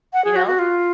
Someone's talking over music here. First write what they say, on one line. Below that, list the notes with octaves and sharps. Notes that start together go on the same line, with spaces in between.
you know.
F#5
G#4
F#4
F#4
F4